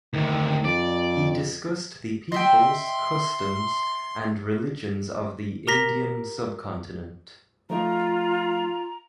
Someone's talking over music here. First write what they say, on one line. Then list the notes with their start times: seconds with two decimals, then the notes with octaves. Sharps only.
He discussed the peoples, customs, and religions of the Indian subcontinent.
0.14 D2 C3 D#3
0.64 F2 D5
2.32 D#5 E5 G5 C6
5.67 G4 A#4 A#5 A#6 B6
7.70 F3 A3 D#4 F4 A#5